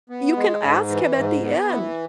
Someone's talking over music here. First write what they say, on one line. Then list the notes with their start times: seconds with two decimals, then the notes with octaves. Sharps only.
you can ask him at the end,
0.10 B3
0.37 G#3
0.63 G#2
0.90 E3
1.16 G#2
1.42 B3
1.69 E3